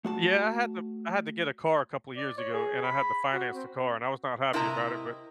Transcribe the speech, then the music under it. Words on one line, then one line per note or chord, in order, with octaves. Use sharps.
Yeah, I had to I had to get a car a couple of years ago, and I had to finance the car, and I was not happy about it, but
A3 F#4 A5
D5
C#5
G#4
B5
F#4
C4
C3 E4 A#4 D#5 A5 A#5